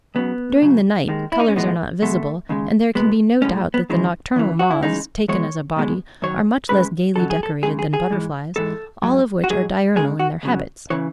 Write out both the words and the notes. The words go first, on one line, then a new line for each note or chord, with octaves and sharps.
During the night colours are not visible, and there can be no doubt that the nocturnal moths, taken as a body, are much less gaily decorated than butterflies, all of which are diurnal in their habits.
C#2 C#3 F#3 B3
C#2 C#3 F#3
D#2 D#3 G#3
E4
D#4
C#4
B1 A2 E3 G#3 B3
E2 B2 G#3 A3
D#2 C#3 G#3
C#2 B2 G#3 B3
B1 A2 G#3 C#4
B3
E2 C#3 E3 G#3
E2 C#3 E3
F#4
E4
C#2 C#3 E3 G#3 D#4
E2 B2 G#3 C#5
B1 B2 G#3
F#2 D#3 F#3 C#5
C#2 C#3 G#3 B4
D#2 C#3 F#3 A4
G#4
A4
F#2 C#3 G#3 G#4
G#4
G#4
G#2 E3 G#3
G#2 E3 G#3 A4
G#2 F#3
F#4
G#2 F#3 G#4
C#2 C#3 G#3 G#4
F#4
C#2 C#3 F#3
C#3 E3 C#5